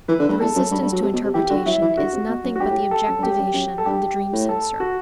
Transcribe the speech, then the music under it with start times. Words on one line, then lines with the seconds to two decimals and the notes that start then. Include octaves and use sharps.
The resistance to interpretation is nothing but the objectivation of the dream censor.
0.08 E3 B4
0.19 D3
0.29 G2
0.40 E2 A4
0.56 F#2
0.71 G2
0.82 G2
0.92 F#3
1.02 C3
1.13 B2
1.24 C3
1.34 E3 G4
1.50 D3 F#4
1.66 F#3 E4
1.82 E3
1.97 D3 F#4
2.13 C3
2.28 B2
2.44 F#2
2.56 F#4
2.60 G2 G4
2.70 A2
2.91 A4
3.08 F#2
3.18 G2
3.23 F#2 G4
3.38 F#2
3.54 F#2
3.78 A4
3.86 G2 G4
4.33 A2
4.49 A4
4.80 F#4